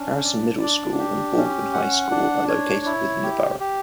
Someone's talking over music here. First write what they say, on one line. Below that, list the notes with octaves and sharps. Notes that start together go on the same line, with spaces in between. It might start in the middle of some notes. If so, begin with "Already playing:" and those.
Harrison Middle School and Baldwin High School, are located within the borough.
Already playing: C#4 D4
D5
D4
G4
C#4
F#5
D4
C#5
E4
G4
G4